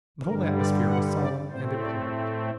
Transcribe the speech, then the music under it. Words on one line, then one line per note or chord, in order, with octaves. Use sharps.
The whole atmosphere was solemn and important.
G2 D3 G3 A#4
D5
F#5
D5
A2 A3 C4 C5
D5